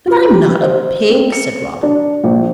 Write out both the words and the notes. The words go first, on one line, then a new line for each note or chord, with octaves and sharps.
"But I'm not a pig," said Robin.
F4
G4
C5
C4
C#7
D4
A#1